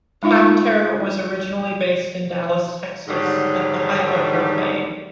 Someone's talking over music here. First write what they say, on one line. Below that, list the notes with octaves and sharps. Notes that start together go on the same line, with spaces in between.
Powter was originally based in Dallas, Texas at the height of her fame.
G#3 D#4 F4 E5 F5
G#2 D3 D#3 F#3 G3